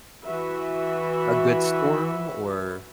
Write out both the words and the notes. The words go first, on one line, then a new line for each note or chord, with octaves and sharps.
A good storm or
E3 F#4 B4 E5